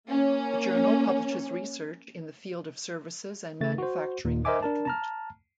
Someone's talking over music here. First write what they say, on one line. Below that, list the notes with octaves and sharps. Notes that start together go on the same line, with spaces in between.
The journal publishes research in the field of services and manufacturing management.
A#3 C#4
C#3 A3 A6
F#4 C5
D#2 A#2
A#4 C5 D#5 E5 G#5 D6
D4 A#4 A5
A5 A#5 F6